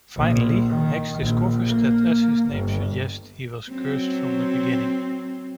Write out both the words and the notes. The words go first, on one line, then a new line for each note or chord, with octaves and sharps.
Finally, Hex discovers that, as his name suggests, he was cursed from the beginning.
A#1
D#3
A#1
A#3
G1
F#3 C4